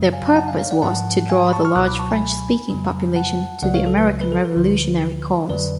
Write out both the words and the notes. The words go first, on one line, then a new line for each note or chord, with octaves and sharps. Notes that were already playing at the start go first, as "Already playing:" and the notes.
Their purpose was to draw the large French-speaking population to the American revolutionary cause.
Already playing: F#2 C#3 F#3
F5 G#5
F#5 A5
F5 G#5
C#5 F5
D5 F#5
G#2 F3 F#5 A5
F5 G#5
B5
A5 C#6
C#6 F6
C#2 B2 F#3 D6 F#6
B5 D6
A5 C#6
G#5 B5
F2 C#3 F#3
F#5 A5
C#2 C#3 F#3 D5 F#5
C#5 F5
A4
B4
B4
A4
B4
D2 D3 F3
F2 D3 F#3 B4 D5